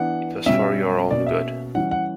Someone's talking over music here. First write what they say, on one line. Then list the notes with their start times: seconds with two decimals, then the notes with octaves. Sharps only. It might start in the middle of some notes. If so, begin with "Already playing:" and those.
It was for your own good.
Already playing: E3 B3 D4 F#5
0.46 B2 G3 C#4 E5
1.11 B2 A#3 C#4 D5
1.26 E5
1.75 E3 G3 C#4 F#5
1.91 F#5